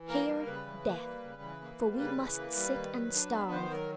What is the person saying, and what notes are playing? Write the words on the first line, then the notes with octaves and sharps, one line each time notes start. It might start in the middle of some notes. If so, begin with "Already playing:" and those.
Here death, for we must sit and starve.
Already playing: E3
A#3 A#4
G3
C#3 B4
E3
A#3
G3
C#3
E3
A#3
G3
C#3 B4
E3
A#3
G3
D#3
F#3
D4
B3
D#3 C5
F#3 A#4